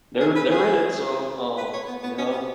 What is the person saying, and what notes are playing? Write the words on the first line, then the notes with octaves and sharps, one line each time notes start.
they're they're in it. So, um, you know?
G#4
B4
G#4
B4
C#5
B3
B3
C#4
B3